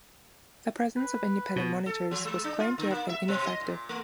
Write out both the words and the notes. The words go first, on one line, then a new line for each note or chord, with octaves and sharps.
The presence of independent monitors was claimed to have been ineffective.
B4
B2
A4
F3
G#3
D4
F4
D3
A#3
E5
B2
D#5
A#2
A3